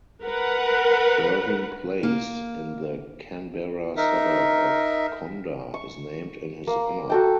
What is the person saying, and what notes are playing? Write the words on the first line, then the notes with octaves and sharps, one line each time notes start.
Ervin Place in the Canberra suburb of Conder is named in his honour.
A#4 B4 F#5
A#3
D#4 A#4 E5
C#6
A#3
F#4 A4 G5